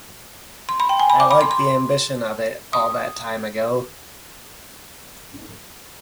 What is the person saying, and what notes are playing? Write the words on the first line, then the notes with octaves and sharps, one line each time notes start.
I like the ambition of it, all that time ago.
C6
B5
G5
G#5
B5
D6
B5
C6
C6
D#6